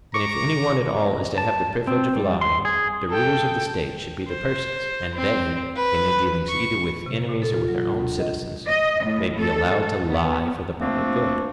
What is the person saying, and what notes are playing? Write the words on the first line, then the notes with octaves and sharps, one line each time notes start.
Then if any one at all is to have the privilege of lying, the rulers of the State should be the persons; and they, in their dealings either with enemies or with their own citizens, may be allowed to lie for the public good.
A#5 C#6 D6
A5
C4
G3
C6
G#4
A4 G5
C5
C4
B4
C#6
C3
A#2
A4
F4
F#3
D2
D#5
D#5
A2
A4
B3
F3 A3 A#3 C4 D4